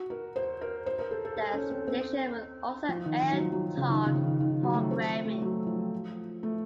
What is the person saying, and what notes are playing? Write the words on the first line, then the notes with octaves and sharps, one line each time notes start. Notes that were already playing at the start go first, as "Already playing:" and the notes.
The station will also air talk programming.
Already playing: F#4
A#4
C5
A#4
C5
A#4
A4
A4
A4
C#4
C4
C4
F3
D#3
D#3
F#3
F3
F#3
C#3
D#3
C#3
F3
D#3
D#3
F#3
A3
C4
A3
F#3
F3
A3